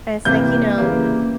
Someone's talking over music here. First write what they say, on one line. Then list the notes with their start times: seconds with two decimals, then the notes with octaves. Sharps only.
and it's, like you know,
0.25 C3 E3 G3 A#3 G6
0.78 C#3 E3 G3 A#3